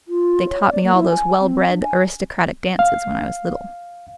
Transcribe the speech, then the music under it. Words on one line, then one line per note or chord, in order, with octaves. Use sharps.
"They taught me all those well-bred, aristocratic dances when I was little...."
F4
C#5
D5
A#3
E4
G#5
C4
D4
G#5
F5